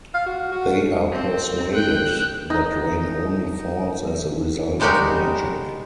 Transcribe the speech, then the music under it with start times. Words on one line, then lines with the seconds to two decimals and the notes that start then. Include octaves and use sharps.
They are persuaded that rain only falls as a result of magic.
0.14 F5
0.26 F#4
0.52 F#4
1.12 C4
1.74 G5 F#6
2.50 D#4
4.80 G3 G#3 D#4 F#4 G4 A#4